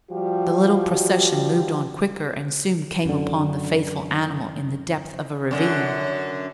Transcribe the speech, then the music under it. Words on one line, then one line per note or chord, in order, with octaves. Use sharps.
The little procession moved on quicker, and soon came upon the faithful animal in the depth of a ravine.
F3 G3 F#4 G4
F#2 D3
F#2 D3